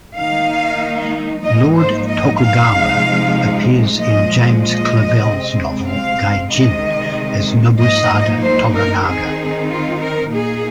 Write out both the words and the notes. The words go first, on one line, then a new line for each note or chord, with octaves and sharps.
Lord Tokugawa appears in James Clavell's novel "Gai-Jin" as Nobusada Toranaga.
D#3 A#3 D#4 F5
G#2 F3 A#3 D#4 D#5
C5
D#5
F5
C3 F3 G#3 D#4
A#2 F3 G#3 D#5
D#5
C3 G#3 C4
F5
C3 D#3 G#3 D#5
G#2 F3 A#3 D#4 D#5
C5
A#4
D#3 C4 D#4 G#4
F4
A#4
A#2 A#3 D#4 G#4